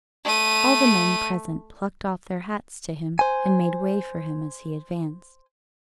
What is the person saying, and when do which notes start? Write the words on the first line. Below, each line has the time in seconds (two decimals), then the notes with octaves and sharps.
All the men present plucked off their hats to him, and made way for him as he advanced.
0.24 A3 D#7
3.19 C5 G#5